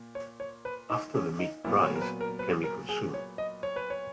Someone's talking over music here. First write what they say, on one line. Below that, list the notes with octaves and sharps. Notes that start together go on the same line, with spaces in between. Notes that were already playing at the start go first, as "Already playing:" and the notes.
After the meat dries, it can be consumed.
Already playing: A#2
C#5
C#5
B4
D#4
C#4
D#4
A#2 F#3 B3 E4
C#5
A#4
B4
A#4
B4
A#4
G#4
C#5
D#5
C#5
B4
C#5